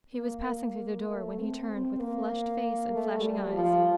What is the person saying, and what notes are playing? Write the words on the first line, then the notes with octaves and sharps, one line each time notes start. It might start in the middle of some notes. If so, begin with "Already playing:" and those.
He was passing through the door, when he turned, with flushed face and flashing eyes.
A#3
A#3
A#3
A3
C4
C4
A#3
A3
G3
F3